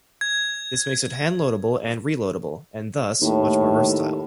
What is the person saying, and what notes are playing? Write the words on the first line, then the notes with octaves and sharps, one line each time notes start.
This makes it handloadable and reloadable, and thus much more versatile.
G#6
D#2 A2